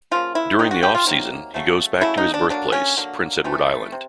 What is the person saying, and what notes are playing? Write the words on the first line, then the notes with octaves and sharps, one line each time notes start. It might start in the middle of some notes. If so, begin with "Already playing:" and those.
During the off-season, he goes back to his birthplace, Prince Edward Island.
C#3 F3 A#3 F4
E4
C3 D#3 F#3 A#3 D#4
F#4
G4
F4
C3 D#3 F#3 A#3
C#3 F#3 A3
C#3 F#3 A3 E4
D#4
D4
D3 F#3 A#3 D4
C#4
D3 F#3 A#3
C3 E3 A3
C3